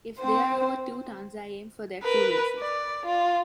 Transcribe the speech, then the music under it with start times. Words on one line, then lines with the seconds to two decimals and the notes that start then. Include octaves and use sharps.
If they are over two tons I aim for their shoelaces.
0.19 C4 C5
2.03 A#4 B4
2.59 D5
3.05 F4